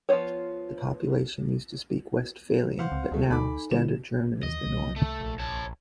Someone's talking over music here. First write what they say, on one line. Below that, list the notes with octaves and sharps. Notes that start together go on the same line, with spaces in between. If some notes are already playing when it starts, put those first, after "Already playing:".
The population used to speak Westphalian, but now standard German is the norm.
F3 B3 F4 C5 C#5
E3 C5 F5 F#5
C#2 C4
D2 D3 G#3 A3 F4
D2 D#4 A4 G#5 B5 D6
D3 G3 E4 E7
D#2 D#3 E3 D#5
C2
A3
A#1
C#5 A5